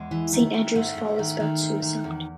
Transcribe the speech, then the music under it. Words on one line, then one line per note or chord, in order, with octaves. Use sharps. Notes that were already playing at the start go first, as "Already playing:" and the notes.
"Saint Andrew's Fall" is about suicide.
Already playing: E2 G#3
E3
D#3 A3
D#3
G#2 A3
G#2
D#3
D#3
G#2
D#3
E2